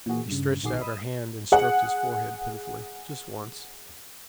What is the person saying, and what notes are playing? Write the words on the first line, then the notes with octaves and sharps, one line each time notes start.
She stretched out her hand and stroked his forehead pitifully--just once.
A#2 E3 A#3 F#4 G#4
G2 C#3
A#1 D#3 F#4 G#4 D6 C7
D#5 B5 D#6 E6
G#4 F#5